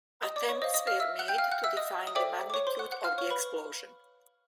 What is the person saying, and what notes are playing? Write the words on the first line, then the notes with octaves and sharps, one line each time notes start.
Attempts were made to define the magnitude of the explosion.
D#5 D#6
D5 D6
C#5 C#6
C5 D#5 F5 D#6
D#5 D#6
F5 F6
E5 E6
F#5 F#6
G5 G6
F5 F6
F#5 F#6
E5 E6
D#5 D#6
D#6
A4 C5 D5 E5 G5 D6
D6
C#5 C#6
C5 C6
F#5 F#6
F#5 F#6
F5 F6
C#5 C#6
B4 B5